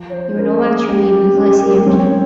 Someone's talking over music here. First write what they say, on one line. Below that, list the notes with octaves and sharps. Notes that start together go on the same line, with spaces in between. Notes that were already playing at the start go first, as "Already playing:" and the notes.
You are no match for me because I see everything.
Already playing: F3
C#5
C5
C#4 A#4
G#4
C#4 G4
C#4
A#3
G#3
C4 C#5
C#4